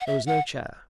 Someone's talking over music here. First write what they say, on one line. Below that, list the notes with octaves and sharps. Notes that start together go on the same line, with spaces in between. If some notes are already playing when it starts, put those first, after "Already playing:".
There was no chair.
F#5
E5
F#5